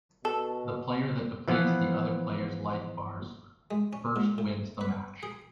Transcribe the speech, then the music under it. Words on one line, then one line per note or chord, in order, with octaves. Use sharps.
The player that depletes the other player's life bars first wins the match.
B2 A4
E3 F3 B3
G#3
C#4
G#2
A2
B4
G#4